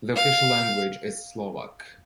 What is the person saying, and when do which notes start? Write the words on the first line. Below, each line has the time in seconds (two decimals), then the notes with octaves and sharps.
The official language is Slovak.
0.15 F5